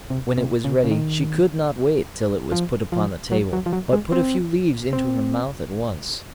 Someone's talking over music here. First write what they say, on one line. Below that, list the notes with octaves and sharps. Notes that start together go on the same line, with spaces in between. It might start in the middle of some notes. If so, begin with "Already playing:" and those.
When it was ready, she could not wait till it was put upon the table, but put a few leaves into her mouth at once.
C3
C3
C#3
C#3
D#3
F3
F3
F#3
F#3
F3
F#3
G#3
C4
C4